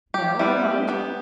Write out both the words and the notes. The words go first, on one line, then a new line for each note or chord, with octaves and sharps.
No, I won't.
G4
G3 E4 B4
G4
B3